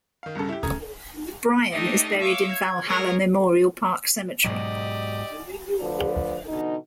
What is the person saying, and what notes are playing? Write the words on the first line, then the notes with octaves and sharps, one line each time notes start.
Bryan is buried in Valhalla Memorial Park Cemetery.
D#3 F5
C2 G2 C#3 A4
E4 G4
C#3 A3 A#5 D#6 G#6
A3 D4 D#4 G4 D#5
C#5 E5 F5 D6
G#6
G#3 G#4 A#4 C#5
G#2 B2 F#3 G4 D5 D#5
D3 F3 A3 B4 D5
B2 D3 E3 D#4